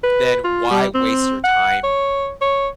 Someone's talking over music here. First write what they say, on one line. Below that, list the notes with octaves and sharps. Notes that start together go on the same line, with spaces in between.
then why waste your time
B4
F4
G3
C4
F#5
C#5
C#5